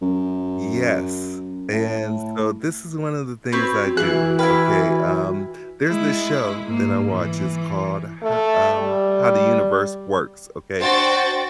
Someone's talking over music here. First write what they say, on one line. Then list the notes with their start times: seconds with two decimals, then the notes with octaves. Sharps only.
Yes, and so this is one of the things I do, okay? Um, there's this show that I watch, it's called Ha um, How the Universe Works, okay?
0.02 F#2
1.73 A2
3.52 C4 F#4 B4 C#5
3.97 E3 E4 G#4 F#6
4.39 E4 B4 G5 F6
5.87 G#3 E4
6.65 G#2 A#3
7.09 E3
8.22 A3
8.78 G3
10.80 D4 F#4 C5 G5 A6